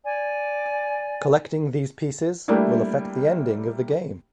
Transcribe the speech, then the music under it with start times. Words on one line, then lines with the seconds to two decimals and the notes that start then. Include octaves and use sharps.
Collecting these pieces will affect the ending of the game.
0.05 D5 G#5
2.48 G3 A3 A#3 D4 E4